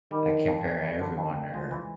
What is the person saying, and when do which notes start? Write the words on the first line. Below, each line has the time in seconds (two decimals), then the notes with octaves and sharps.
I compare everyone to her,
0.11 D#3 G3
0.29 D3
0.47 F2
0.65 A#3
0.82 G3
1.00 D3
1.18 F2
1.36 A#3
1.54 F3 G#3
1.71 E3